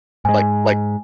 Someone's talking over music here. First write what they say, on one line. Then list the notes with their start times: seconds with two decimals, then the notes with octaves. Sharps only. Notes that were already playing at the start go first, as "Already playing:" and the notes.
Like like,
0.25 G#2 G#3 G#5